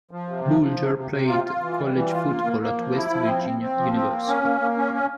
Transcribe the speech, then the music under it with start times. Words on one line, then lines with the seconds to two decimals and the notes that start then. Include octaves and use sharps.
Bulger played college football at West Virginia University.
0.11 F3
0.28 C3
0.45 F3
0.61 F3
0.78 C3
0.95 C3
1.11 C3
1.28 F4
1.44 F4
1.61 E3
1.78 G3
1.94 E3
2.11 F4
2.28 A#3
2.44 A#3
2.61 A#3
2.77 F3
2.94 E4
3.10 F3
3.27 C4
3.44 C4
3.61 C4
3.77 F3
3.94 C4
4.10 A#3
4.27 C#4
4.43 A#3
4.60 A#3
4.77 C#4
4.94 C#4